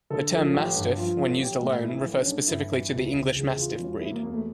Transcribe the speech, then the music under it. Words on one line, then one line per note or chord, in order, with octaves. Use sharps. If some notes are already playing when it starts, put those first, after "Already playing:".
The term "Mastiff", when used alone, refers specifically to the "English Mastiff" breed.
D3 A4
F3 A4
A4
A1 G4
G2
F3 F4
A1
A1 G4
A2
E3 E4
E4
A1
C#4
A1 D4
G2 E4
E3
C#2
C#2
C#3
E3 F4
E1
E1 E4
A#3
E2 A#3
A3